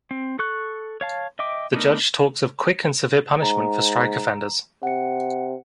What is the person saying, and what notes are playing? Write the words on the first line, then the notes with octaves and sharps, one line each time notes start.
The judge talks of quick and severe punishment for strike offenders.
C4
A4 C#6 F#6
C#5 F5 A5
D#5 E5 G5 D6
A3 B3 D4 D#4 A#4
G#2 A#5
C3 F#5 C#7